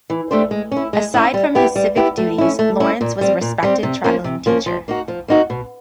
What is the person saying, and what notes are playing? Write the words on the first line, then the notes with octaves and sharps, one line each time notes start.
Aside from his civic duties, Lawrence was a respected traveling teacher.
E3
A3 D4 G4 C5
G#3
C#4
E4
G#3
C#4 E4
G3
B3 E4 G4
G3
B3 E4 G4
A3
C#4 E4
A3
C#4 E4
A#2
G3 C4
A#2
G3 C4
C3
F3 A#3 C#4
C3
F3 A#3 C#4
F3
A#3 D#4 F#4
F3
A#3 D#4 F#4
B2